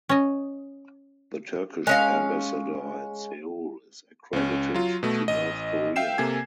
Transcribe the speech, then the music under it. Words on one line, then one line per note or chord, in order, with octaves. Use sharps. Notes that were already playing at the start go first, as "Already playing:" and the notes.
The Turkish ambassador in Seoul is accredited to North Korea.
C#4 D#5
G#3 C#4 F5
C#2 C#4
F#3 F4
B2 A3
A1 D#5
E5 F5 G5 C7 E7
C3 A#3 A4 G#5 G#6